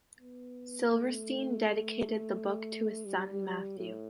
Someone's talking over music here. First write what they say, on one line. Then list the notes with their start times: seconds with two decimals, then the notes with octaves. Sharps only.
Silverstein dedicated the book to his son, Matthew.
0.19 B3
0.92 A3
3.06 G3
3.78 A2